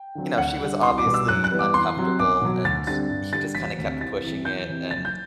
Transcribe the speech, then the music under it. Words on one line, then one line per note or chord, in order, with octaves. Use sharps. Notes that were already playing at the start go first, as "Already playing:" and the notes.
you know, she was obviously uncomfortable, and he just kinda kept pushing it, and
Already playing: G5
D3 F#3 C4
D2 F#5
D3 G3
C2 C6
D6
B2 G3 B3
E6
F#2 F#6
F#6
E3 G3 B3
D6
E2 C6
C3 F#3
B1 D6
B2 F#3
D2 A6
D3 G3 C4 A6
G2
D3 G3 A6
E1 B6
D2 C3
C2 A6
C3 E3
E2 G6
C3 E3
F#1 A6
G6